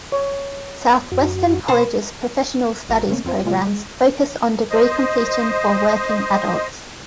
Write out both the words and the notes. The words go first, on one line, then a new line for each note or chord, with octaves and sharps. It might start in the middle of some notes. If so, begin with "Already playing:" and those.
Southwestern College's professional studies programs focus on degree completion for working adults.
C#5
F#2 F#4
B2 C5
A1 F#3 F#4 A#5
C#3 A3 A#3 C4 C#4
F2 C4 F4 C5
A#2 C#3 G#3 F4
G#3
C5 D#5